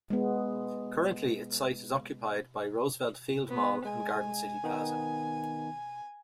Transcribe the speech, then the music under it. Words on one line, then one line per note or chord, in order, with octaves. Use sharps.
Currently its site is occupied by Roosevelt Field Mall and Garden City Plaza.
G#3 B3
B3
G#3 G#5
D#3 B3 D#4